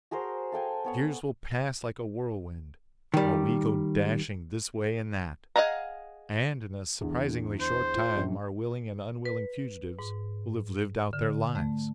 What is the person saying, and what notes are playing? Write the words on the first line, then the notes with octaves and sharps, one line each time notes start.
The years will pass like a whirlwind--while we go dashing this way and that, and in a surprisingly short time our willing and unwilling fugitives will have lived out their lives.
F#4 G#4 A#4 C5
A4 F5 G5 G#5
B3 C#5 F#5
D#3 G3
G#4 D#5 F5 F#5 A#5
E2 D3
C5
F4
A#1 F#2
B4
G#2
D3
A3